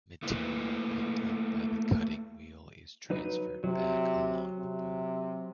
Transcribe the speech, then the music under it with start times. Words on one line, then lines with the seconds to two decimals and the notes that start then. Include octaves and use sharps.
Material picked up by the cutting wheel is transferred back along the boom.
0.23 A3 A#3 E4 B4 C5
3.10 F#3 D#4 B4
3.64 C3 F#3
4.59 C3